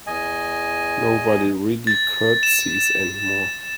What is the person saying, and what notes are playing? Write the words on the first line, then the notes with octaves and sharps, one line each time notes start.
Nobody really curtsies anymore.
E2 D#5 G#5
A6
E7